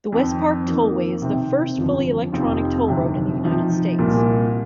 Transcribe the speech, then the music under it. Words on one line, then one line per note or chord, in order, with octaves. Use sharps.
The Westpark Tollway is the first fully electronic toll road in the United States.
F2 D#3 C4
F2 D#3 A#3
C3 D#3 C4
G1 F2 F3
F1 F2 D#3 C4 F4
G1 F2 C3 D#3 C4
C3 F3 C4 D#4
C2 A#2 A#3